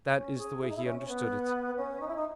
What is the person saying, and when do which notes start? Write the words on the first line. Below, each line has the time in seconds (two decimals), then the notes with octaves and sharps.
That is the way he understood it.
0.15 C#4
0.38 G#4
0.62 E4
0.69 D#4
0.76 E4
0.85 C#4
0.98 C#4
1.08 B3
1.77 C#4
2.00 D#4
2.08 E4
2.15 D#4